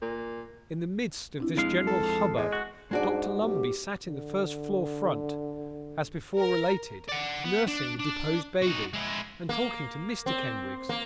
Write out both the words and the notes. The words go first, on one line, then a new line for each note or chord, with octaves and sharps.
In the midst of this general hubbub, Dr Lumbey sat in the first-floor front, as before related, nursing the deposed baby, and talking to Mr Kenwigs.
A#2
C4 D4 E4
F2 G#3 F5
A4
E2 G#3
F#4
G#2 G#3 D4 F#4 D5
B1 G4
D3
A#4
D5 F#5
B3
D4
D4
D#4 F#4
G#3 E4
A#3
C4
A#3